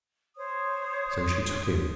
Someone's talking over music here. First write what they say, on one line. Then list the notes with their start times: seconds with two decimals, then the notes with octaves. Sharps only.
So she took him.
0.37 C5 C#5 D#6